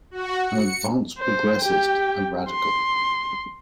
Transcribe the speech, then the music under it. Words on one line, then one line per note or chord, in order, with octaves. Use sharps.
An advanced progressist a radical.
F#4
C#7
C5
G4 G5
C6